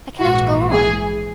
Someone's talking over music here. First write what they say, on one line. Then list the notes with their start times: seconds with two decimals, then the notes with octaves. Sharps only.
I cannot go on.
0.19 A#1 G#2 E3 F#4
0.72 G#4